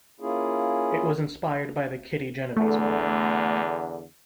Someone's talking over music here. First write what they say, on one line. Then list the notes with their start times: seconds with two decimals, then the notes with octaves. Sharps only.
It was inspired by the Kitty Genovese murder.
0.20 A#3 C#4 E4 F4 G#4
2.56 E2 D3 A3